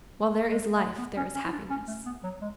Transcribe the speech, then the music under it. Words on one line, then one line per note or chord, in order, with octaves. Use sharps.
While there is life there is happiness.
G#3
A3
B3
C#4
C#4
E4
D4
C#4
A3
B3
F#3
G#3